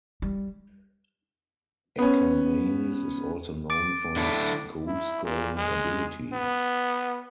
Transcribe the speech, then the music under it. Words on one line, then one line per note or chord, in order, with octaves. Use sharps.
Akermanis is also known for his goalscoring abilities.
G3
B3 C#4
D6 A6 D7
D3 E4 A4
E4
A#2
G#3
B3